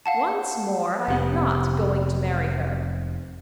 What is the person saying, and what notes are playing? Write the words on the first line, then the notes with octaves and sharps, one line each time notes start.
"Once more, I am not going to marry her."
F5 F#5 A5
F1 C3 B3